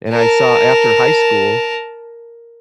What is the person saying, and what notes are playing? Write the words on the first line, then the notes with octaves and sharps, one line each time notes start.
and I saw after high school,
A#4 A5